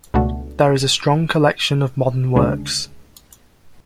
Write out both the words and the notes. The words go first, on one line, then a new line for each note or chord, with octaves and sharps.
There is a strong collection of modern works.
C#2 B2 A3 D4 F#4
D2 C#3 G#3 D4 G#4